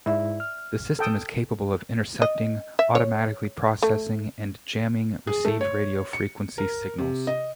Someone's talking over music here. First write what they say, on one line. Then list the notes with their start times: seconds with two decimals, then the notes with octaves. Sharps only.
The system is capable of intercepting, automatically processing and jamming received radio frequency signals.
0.06 G#2 E4 D5 E5
0.40 F6
0.99 A4 G5 D#6
2.22 D#5
2.79 E5
2.95 C#5
3.82 A3
5.27 G#4
5.45 A3
5.61 C#5
6.13 C#7
6.58 A#4
6.98 C3
7.27 D#5